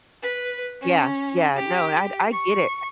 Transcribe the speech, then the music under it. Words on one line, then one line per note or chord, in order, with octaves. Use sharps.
Yeah, yeah, no, I d I get it,
B4
C#4
G4
C#6